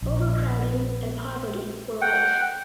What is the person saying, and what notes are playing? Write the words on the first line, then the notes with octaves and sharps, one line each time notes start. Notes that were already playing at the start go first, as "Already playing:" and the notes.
Overcrowding and poverty were rife.
A#1
F#5 G5